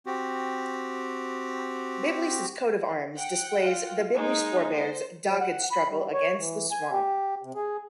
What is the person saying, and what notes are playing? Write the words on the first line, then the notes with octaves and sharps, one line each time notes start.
Biblis's coat of arms displays the Biblis forebears' dogged struggle against the swamp.
C4 F#4 G4
F#5 G5
F4
G#3 A#3 D#4
C5
F#3
F#5
B5
G3
C#5
E3
G#5
G4
C3
G#4